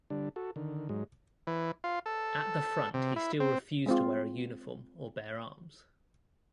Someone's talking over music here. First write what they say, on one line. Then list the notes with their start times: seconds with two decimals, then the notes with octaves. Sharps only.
At the front he still refused to wear a uniform or bear arms.
0.10 D3 G3 D4
0.36 F#4 A4
0.56 D3 D#3
0.89 G#2 F#3 G#3
1.47 E3
1.84 F4
2.06 A4
2.94 C3
3.16 E4
3.40 C4
3.86 G#3 C4 F4